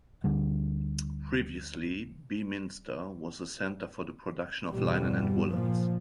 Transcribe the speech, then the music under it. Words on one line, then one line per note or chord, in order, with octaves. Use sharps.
Previously Beaminster was a centre for the production of linen and woollens.
D2 D3 G3
G1 E2 B2 G3
A#2 F3